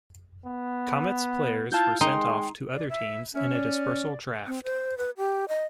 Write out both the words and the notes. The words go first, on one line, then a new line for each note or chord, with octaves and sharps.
Comets players were sent off to other teams in a dispersal draft.
B3
E4 F4 F5 A5 G6
G#3 D#4 G5 C6
D5
E5
C#4 E5
D5
C4
C5
B4
G4
D#5